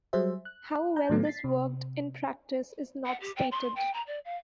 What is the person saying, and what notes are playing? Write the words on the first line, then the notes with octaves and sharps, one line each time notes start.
How well this worked in practice is not stated.
F#3 G3 G#4 C5 E5
F#6
A#5 G6
A2 D#3 F#3 A3 B3
A6 B6 C7
C3
F#5
G4
G5
C6
G5
A#5
D5
F5